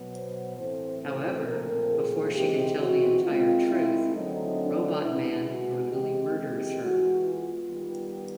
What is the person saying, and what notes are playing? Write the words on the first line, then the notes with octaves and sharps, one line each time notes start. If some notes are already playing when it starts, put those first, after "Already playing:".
However, before she can tell the entire truth, Robotman brutally murders her.
Already playing: B2 F#3 B3
C5
A2 E3 A3 C4 C5
C5
A#2 F3 A3 C4 A#4
G#4
C3 E3 G#3 G4
F#4
D#3 G#3 C4 F4
E4
D3 F#3 A3 C4 D#4
D4
B2 G#3 B3 E4
F#4
E3 G#3 C4 G4
G4
E3 G#3 B3 F#4
F4
D#3 G3 B3